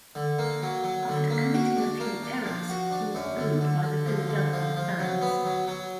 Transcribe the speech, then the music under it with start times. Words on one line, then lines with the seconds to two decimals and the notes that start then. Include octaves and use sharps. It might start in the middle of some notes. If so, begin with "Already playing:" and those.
After committing a few errors, he was booed by the Philadelphia fans.
0.15 D3
0.39 A#3
0.62 F#3
0.84 F#3
1.08 D3
1.30 A#3
1.54 F#4
1.77 D4
2.00 A#3
2.23 D4
2.46 F3
2.69 F#4
2.91 D4
3.15 F#2
3.38 D3
3.61 D3
3.83 D3
4.06 F3
4.29 D3
4.53 F3
4.76 F3
4.99 F#3
5.22 B3
5.45 F#3
5.67 F#3